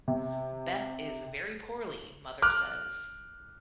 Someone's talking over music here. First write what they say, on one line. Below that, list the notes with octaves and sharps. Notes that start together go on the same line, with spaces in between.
Beth is very poorly, mother says.
C3
D6 F6 F#6